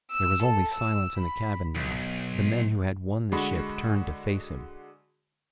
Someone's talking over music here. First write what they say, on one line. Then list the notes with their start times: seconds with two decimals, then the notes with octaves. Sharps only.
There was only silence in the cabin now, the men who had won the ship turned to face him.
0.13 E6
0.43 A4
0.76 E6
1.18 B5
1.75 B1
3.32 D3 G#3 F#4 B5 C#6